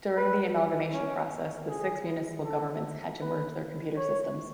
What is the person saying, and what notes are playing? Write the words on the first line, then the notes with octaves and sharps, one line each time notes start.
During the amalgamation process, the six municipal governments had to merge their computer systems.
B4
C#4
G#4
A4
B4
C#5